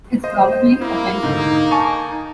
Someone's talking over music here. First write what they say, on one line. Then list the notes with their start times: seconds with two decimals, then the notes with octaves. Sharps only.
It's probably offensive.
0.24 C5 D#5
0.81 A#3 E4
1.23 D2 G#2 D#4
1.71 G#5 A5 C#6